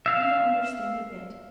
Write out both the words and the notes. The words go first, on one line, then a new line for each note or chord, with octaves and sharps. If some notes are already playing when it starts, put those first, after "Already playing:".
You don't understand a bit!
E5 F5